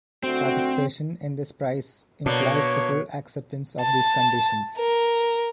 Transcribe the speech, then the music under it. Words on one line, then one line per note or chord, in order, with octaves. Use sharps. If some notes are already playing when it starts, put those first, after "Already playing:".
Participation in this prize implies the full acceptance of these conditions.
D3 A3 C4 F#4
B2 A#3 B3 D4 C#5
A5
A#4